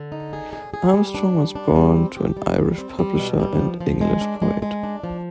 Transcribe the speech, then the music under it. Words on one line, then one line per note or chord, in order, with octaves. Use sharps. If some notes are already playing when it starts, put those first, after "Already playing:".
Armstrong was born to an Irish publisher and English poet.
Already playing: D3
D#4
G#4
G#4
G#4
G3
D4
G3
D4
G3
C4
G4
G3
G3
C4
G3
B2
G3
F3
F3
G#3
D4
G#3
G#3
D4
F3